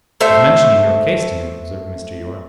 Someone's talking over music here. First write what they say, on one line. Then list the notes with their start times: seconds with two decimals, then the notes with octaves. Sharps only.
"I was mentioning your case to him," observed Mr. Yorke.
0.20 A3 A4 C5 E5